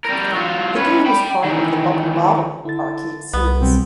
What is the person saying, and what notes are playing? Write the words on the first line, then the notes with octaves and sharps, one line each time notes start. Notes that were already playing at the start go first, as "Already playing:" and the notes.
The game is part of the Bubble Bobble arcade series.
G3 A#4
F#3 F4
C#4 B4
G5 B5
D#3 E3
D3 E4 A6
C2 B3
B2 F#3 G3 C4